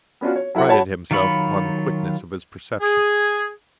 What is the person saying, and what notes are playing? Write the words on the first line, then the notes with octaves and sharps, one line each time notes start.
He prided himself upon the quickness of his perception.
B3 C#4 D4 F4 F#4
C#5
F#3 E4 A4 F#5
F#4 C#5 F#5 A5 B5
D#3 F#3 F4 C#5 B5
G#4